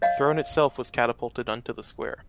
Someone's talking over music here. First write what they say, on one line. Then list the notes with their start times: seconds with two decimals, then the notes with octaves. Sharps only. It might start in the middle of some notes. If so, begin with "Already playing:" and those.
The throne itself was catapulted into the square.
0.02 C#5 D#5 F5 F#5